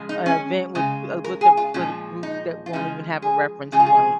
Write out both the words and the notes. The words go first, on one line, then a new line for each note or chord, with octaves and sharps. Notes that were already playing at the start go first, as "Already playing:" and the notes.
a event with a with a with a group that won't even have a reference point?
Already playing: C#3 F3 G#3
D#4
C#4
C#3 G#3
A#4
G#4
F4
A#2 F3 G#3 C#4
D#4
F4
C#3 F3 G#3 D#4
G#4
C#3 F3 G#3 G#4
F4
G#4